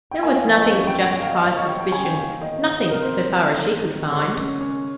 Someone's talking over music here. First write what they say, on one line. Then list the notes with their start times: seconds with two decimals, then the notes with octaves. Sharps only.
There was nothing to justify suspicion, nothing, so far as she could find.
0.11 G5
0.23 A#3 G#5
0.39 F5
0.47 F3
0.55 D#5
0.71 C#4 C#5
0.87 G5
0.95 G2
1.03 G5
1.20 A#3 F5
1.32 D#5
1.44 F3 D#5
1.56 C#5
1.69 F4 G5
1.81 G5
1.92 C#3 G#5
2.05 G5
2.16 A#3 G5
2.41 D#3 D#5
2.65 D#4 D#5
2.90 C3 A#4
3.02 C5
3.14 A#3
3.39 G3
3.63 D#3
3.87 D#3
4.12 G#3 C#5
4.36 C#3
4.61 C#4